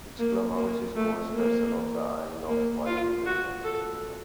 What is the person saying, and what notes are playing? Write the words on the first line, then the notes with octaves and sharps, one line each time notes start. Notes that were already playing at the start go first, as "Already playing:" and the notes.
Its clubhouse is Cowes Castle on the Isle of Wight in the United Kingdom.
A#3
A#3
A3
A#3
A#3
F4
F#4
A4